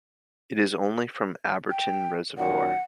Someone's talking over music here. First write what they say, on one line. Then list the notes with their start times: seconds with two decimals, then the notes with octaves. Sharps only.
It is only from Abberton Reservoir.
1.70 G5
2.38 F#2 A#2 D#3 F#5